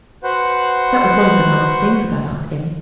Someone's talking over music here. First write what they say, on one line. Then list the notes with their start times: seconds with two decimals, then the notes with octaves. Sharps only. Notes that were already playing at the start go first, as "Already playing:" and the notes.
That was one of the nice things about Aunt Emmy.
0.24 F#4 B4 C5 F#5